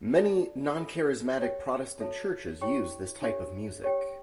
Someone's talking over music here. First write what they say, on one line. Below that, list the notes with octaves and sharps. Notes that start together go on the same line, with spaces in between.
Many non-charismatic Protestant churches use this type of music.
A4 D5 A5
A4 E5 B5
G4 C#5 G5
F#4 A4 C#5 E5 A5
E4 G4 C#5 G5 C#6
D4 G4 C#5 E5
G4 C#5 G5